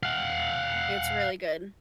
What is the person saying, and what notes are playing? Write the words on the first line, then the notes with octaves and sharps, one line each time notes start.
it's really good.
F5 F#5